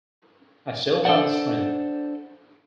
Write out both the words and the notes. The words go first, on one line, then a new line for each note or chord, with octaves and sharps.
I still had the strength.
D4 A4 A#4 C5 D5 F#5